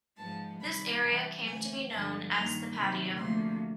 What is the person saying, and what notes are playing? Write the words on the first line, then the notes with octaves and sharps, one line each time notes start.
This area came to be known as "The Patio".
G#2 F3 G#3 B3 A5
C3 D#3 G3 B5
C3 E3 G3 A5
D2 C3 E3 G#5
G2 D3 F3 G#3 B3 A5
G2 D#3 G3 A#3 A#5
C3 D#3 F#3 B5
D2 C3 F3 A#3 C6